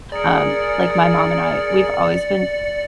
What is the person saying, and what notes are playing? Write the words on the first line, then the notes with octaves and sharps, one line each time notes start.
um, like, my mom and I, we've always been
G#4 A#4 D5 C#7